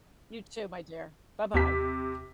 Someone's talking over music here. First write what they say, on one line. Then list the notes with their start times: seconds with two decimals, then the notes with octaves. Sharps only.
You, too, my dear. Bye bye.
1.54 D#2 C3 B6